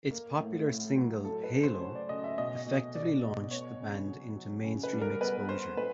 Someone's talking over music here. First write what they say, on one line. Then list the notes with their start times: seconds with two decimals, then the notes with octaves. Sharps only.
It's popular single, "Halo", effectively launched the band into mainstream exposure.
0.11 A#3
0.40 A2
0.68 A2
0.97 F#3
1.24 F#3 A4
1.44 B4
1.53 C#3
1.63 C5
1.81 F#3 C#5
1.95 D5
2.09 C#3 D#5
2.24 E5
2.38 B2 D#5
2.66 B2
2.94 B2 D5
3.23 B2
3.51 B3 C#5
3.80 C#3
4.08 F#3
4.36 F#3
4.64 C#3
4.83 B4
4.93 G3
5.01 A#4
5.21 B3 B4
5.49 B3 C5
5.77 A#2 B4